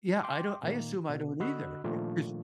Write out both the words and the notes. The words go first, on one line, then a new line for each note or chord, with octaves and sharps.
Yeah, I don't I assume I don't either. It 'cause
G5 C6 D6
A#2 D#3 A#3
B2 D3
D3 F#4 D#5 B5 E6 F#6
A#2 D#3 F3 A3 D4 F4